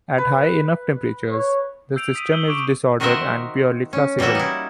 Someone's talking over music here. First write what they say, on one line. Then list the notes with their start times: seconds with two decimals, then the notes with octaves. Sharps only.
At high enough temperatures, the system is disordered and purely classical.
0.18 B4
1.30 C#5
1.96 E6 G6 C7 D7 F7
2.15 D#6 B6 D7 D#7
2.32 E6 G6 C7 D#7 F#7 G7
2.48 C#6 D6 D7
3.00 D#3 F#4 A#4 C5 D#5 E5
3.93 C#4
4.19 E3 G3 A#3 F#4 E5
4.35 D#4 E4